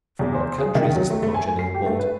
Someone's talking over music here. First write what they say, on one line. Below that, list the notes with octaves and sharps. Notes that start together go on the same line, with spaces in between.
From what countries is the Cochineal brought?
E2
C5
G#4
D#3
F#3
A3
A3
G#5
C7
G4
A3
B4